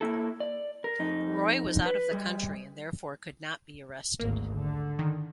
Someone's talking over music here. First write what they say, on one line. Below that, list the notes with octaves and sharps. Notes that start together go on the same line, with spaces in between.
Roy was out of the country and therefore could not be arrested.
A#3 E4 A4
D5
A#4
F2 D#4
B4
G3 G#4
G#1 D2 A#3
D3
D#3